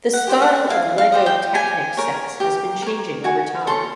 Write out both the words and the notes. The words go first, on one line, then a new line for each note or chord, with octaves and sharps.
The style of Lego Technic sets has been changing over time.
F#5
G4 C5 D#5
F#5
E4 F5
F5
G4 C5 D#5
G5
G4 G#5
A#4 C#5
G4
A#4 C#5
F#4 G#5
A4 C#5 C6